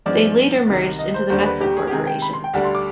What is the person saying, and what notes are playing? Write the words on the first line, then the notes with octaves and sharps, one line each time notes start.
They later merged into the Metso Corporation.
G2 F3 G#3 B3 D4 D5
C2 C3 D#3
D#5
C5
D#2 D3 G3 D4 C5
B4
G4
G#4
G4
C3 D#3 G#3 G#4
G5
B5
C6
G5
D2 D3 G3 D4
C6
D6